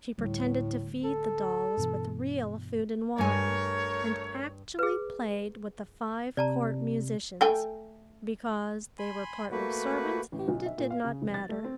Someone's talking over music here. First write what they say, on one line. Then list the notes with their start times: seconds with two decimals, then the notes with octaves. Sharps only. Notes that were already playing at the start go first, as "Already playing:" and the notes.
She pretended to feed the dolls with real food and wine, and actually played with the five court musicians, because they were partly servants and it did not matter.
0.18 D1 D2 A2 G3
1.04 A4
1.77 G2 B2 E3
3.18 G2 A3 A#4 C#5 G#5
4.79 G#4 B4
6.37 C3 D5 A5 A#5
7.41 A3 G5 G#5
8.99 G#5 B5 C6
9.51 A3 A#3 F#4 B4
10.32 A1
10.48 B1
10.66 E5
10.78 A#2
10.90 F5
11.04 C#3
11.22 F1
11.34 A6
11.49 A3
11.64 C4